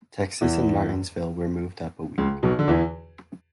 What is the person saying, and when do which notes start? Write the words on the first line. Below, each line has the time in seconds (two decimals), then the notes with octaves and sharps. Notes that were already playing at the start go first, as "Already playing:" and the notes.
Texas and Martinsville were moved up a week.
0.41 E2 E3
2.18 C#2 C#3
2.43 B1 B2
2.59 D3
2.68 E2 E3